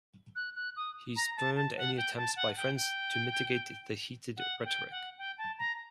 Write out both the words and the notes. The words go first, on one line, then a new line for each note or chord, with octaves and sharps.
He spurned any attempts by friends to mitigate the heated rhetoric.
F#6
F#6
D#6
A#5
A5
A5
F#5
G5
A5
F#5
G5
G5
F#5
G5
F#5
G5
A5
A#5